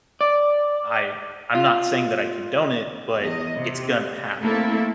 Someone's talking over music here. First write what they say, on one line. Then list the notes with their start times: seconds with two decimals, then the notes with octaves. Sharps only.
I I'm not saying that I condone it, but it's gonna happen.
0.21 D5
1.55 F4
3.19 E2 D#5
3.56 C3
4.40 A3 A#3 C4 E4 A4